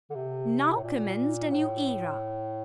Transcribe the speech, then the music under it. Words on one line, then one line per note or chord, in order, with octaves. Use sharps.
Now commenced a new era.
D3
C3
A2
A#2
A2